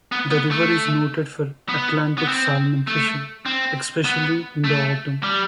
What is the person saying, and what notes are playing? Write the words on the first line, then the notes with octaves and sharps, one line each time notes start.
The river is noted for Atlantic Salmon fishing, especially in the autumn.
B3
B3
A3
B3
B3
C4
A3
C4
B3
A3
G3